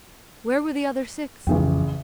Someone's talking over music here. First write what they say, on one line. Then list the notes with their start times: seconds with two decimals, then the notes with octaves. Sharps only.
Where were the other six?
1.47 A1 F2 C#3 G5